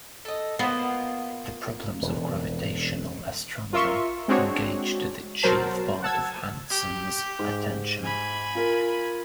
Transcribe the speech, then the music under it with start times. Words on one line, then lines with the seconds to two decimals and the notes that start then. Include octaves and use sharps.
The problems of gravitational astronomy engaged the chief part of Hansen's attention.
0.25 A4 D#5
0.59 A#3 B3 F4 C5
2.02 E1 F2
3.73 F4 A#4 E5 C6 C#6
4.28 G#3 C4 D4 F#4 C#5
5.43 B1 F#3 A#4 C5 A5
6.02 F#5 A5 E6 G#6
6.70 G4
7.39 G#2
8.03 G#5 B5
8.55 F4 A#4